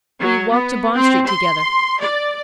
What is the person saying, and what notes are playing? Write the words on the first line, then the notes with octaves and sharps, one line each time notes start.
We walked to Bond Street together.
F#3
B3
C4
C6
D5